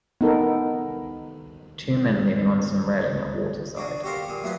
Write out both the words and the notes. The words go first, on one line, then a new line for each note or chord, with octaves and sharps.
Two men leaning on some railing at water side.
B3 D#4 A4 A#4
D4 F#4 G#4
F#4 G4 A4 A#4 C5 F5
A#2 G#4
F#3 A3 A#3 D#4 F4 B4